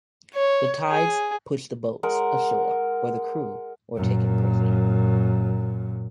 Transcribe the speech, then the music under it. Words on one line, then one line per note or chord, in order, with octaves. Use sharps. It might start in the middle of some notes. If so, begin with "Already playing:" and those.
The tides pushed the boats ashore where the crew were taken prisoner.
C#5
G#4
G#3 A#4 F#5
F#2 A#2